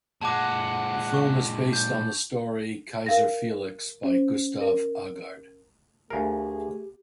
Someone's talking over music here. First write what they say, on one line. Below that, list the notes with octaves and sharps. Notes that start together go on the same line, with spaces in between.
The film is based on the story "Keiser Felix" by Gustav Aagaard.
A#2 G#3 F#5 A5 D6
C#6
G6
A#4 F5 A#6
C#4 C5
A#4
D2 A3 G4 G#4 A#4 F5 G#5